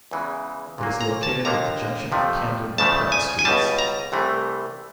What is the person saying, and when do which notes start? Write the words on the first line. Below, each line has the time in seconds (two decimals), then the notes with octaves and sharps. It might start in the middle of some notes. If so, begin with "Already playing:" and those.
It is located at the junction of Camden and Pratt Streets.
0.11 E2 C#3 E3 G#3
0.78 A#2 F#3 A#3
1.01 A#5
1.23 A5
1.45 D#2 D3 F3 A#3 A#5
2.12 F2 C3 F3 A3
2.78 D2 C#3 F3 A3 A5
3.12 G#5
3.39 G#5
3.45 C#2 B2 G3 A5
3.79 A#5
4.12 C2 C3 E3 A3